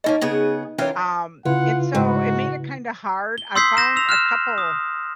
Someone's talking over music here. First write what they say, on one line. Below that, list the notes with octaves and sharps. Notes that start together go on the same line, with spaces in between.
um, and so it made it kinda hard. I found a couple
A3 A#3 C#4 D#4 D#5
C#3 B3 G#4
E3 C#4 F4 A#4 C#5
C#3 E4 F4 B4 F#5
G#2 F#4
G7
C6 D#6 E6 G6 B6 C7
G6 A#6 E7
E6 F7
F6 F#6 E7
D#6